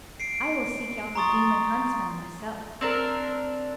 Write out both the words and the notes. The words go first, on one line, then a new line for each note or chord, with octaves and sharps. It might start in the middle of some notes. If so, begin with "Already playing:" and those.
"I will seek out the demon huntsman myself."
C7 D7
A#5 C6 C#6 D#6 A6
C4 D4 A#4